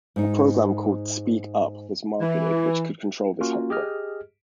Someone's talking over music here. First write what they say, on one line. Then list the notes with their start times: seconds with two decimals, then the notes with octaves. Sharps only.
A program called "S.peek.uP" was marketed which could control this hardware.
0.16 G#2 D#4
2.20 E3
3.41 A#3 C#4 F4 F#4
3.70 G4 G#4 D#5 F6